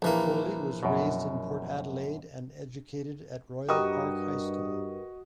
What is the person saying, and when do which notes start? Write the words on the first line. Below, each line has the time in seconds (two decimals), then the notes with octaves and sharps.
Foley was raised in Port Adelaide and educated at Royal Park High School.
0.02 A#1 E3 A#3
0.83 F#2 B2
3.68 G2 F#4 G4 A#4 B4 D#5 C#6 D#6